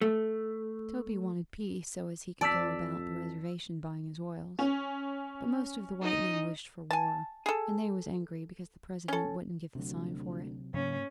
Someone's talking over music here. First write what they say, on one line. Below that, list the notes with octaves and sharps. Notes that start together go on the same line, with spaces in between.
Toby wanted peace so as he could go about the Reservation buying his oils. But most of the white men wished for war, and they was angry because the President wouldn't give the sign for it.
A3
F2 D5 A5 E6 B6
C#4
D#4 D#5
G#5 A5
G#4 A4
C#4 A4
D2 C3 F#3
G#2 C#3 F#3 A#3 C#4